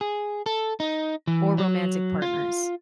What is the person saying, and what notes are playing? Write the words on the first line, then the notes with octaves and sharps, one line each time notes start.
or romantic partners.
G#4
A4
D#4
E3
F#3
F4